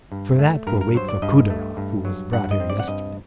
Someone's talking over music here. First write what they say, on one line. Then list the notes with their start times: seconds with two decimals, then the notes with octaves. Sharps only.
For that we'll wait for Kudeyarov who was brought here yesterday.
0.12 G2
0.39 A3
0.67 G2 A#4
0.81 A#4
0.95 F#3 C5
1.09 D5
1.22 G2 D#5
1.50 A3
1.77 G2
2.05 F#3
2.33 G2 F#5
2.51 D#5
2.60 C4
2.70 D5
2.79 F#5
2.88 G2 D#5